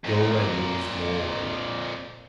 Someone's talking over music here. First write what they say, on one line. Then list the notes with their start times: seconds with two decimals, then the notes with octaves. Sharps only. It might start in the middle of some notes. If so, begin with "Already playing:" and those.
Go and lose more.
0.05 F2 A#2